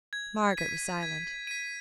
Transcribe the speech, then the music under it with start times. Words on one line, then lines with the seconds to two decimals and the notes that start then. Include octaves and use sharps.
Margaret was silent.
0.13 G#6
0.57 B6 D#7
1.03 G#6
1.47 B6 D#7